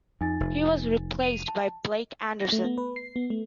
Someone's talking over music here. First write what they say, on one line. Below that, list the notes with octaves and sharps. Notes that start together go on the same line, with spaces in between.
He was replaced by Blake Anderson.
F2 D#4 G#5 A6
F1
D#7 F7
A5
A#6
A3
B3
B4
C7
B3
A3